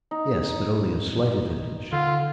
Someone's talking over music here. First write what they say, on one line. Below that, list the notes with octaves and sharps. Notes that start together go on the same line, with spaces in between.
"Yes, but only a slight advantage."
D#4
D3 F4